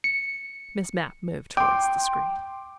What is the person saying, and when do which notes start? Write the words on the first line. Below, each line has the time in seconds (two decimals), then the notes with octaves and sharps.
Miss Mapp moved towards the screen.
0.04 C#7
1.57 G5 C6 D6